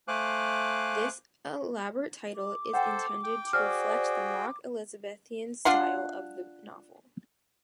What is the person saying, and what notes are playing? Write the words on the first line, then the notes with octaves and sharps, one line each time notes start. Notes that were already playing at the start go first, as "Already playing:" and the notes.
This elaborate title is intended to reflect the mock-Elizabethan style of the novel.
A3 C5 F5 G#5 D6 F#6
D6
A4 C5 F#5 G5
G5
F#4 G#4 C5 D5 G5 F6
D4 F4 F#5 C6